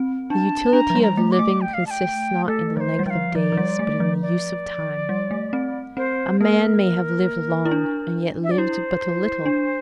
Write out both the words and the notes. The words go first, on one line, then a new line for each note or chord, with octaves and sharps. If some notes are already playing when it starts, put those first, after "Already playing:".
The utility of living consists not in the length of days, but in the use of time; a man may have lived long, and yet lived but a little.
Already playing: C4
D4 A5
D4 A#5
F3
G3
A#5
A3
D6
A3
G5
F5
A5
G5
A3 A4
F3 C5 D5
G3
F3 F5 G5
F3 D5
F3
G3
A3
F3
D5
G3
A3
C4
C4 C5
A#3 A#4
E4
D4
E5
D5
E4 C5
D4